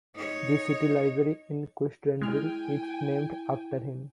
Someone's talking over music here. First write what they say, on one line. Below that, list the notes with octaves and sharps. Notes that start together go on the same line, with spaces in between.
The city library in Kyustendil is named after him.
D#4 C#5
G#3 E4 G5 G#5 F6